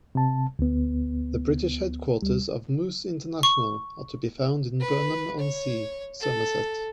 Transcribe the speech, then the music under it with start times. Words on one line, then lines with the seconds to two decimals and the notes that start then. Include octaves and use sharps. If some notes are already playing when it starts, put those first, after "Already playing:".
The British Headquarters of Moose International are to be found in Burnham-on-Sea, Somerset.
0.15 C3 A5
0.59 D2 B3
2.22 D2 G3
3.43 C#6
4.80 B4
5.39 C#5
6.20 A4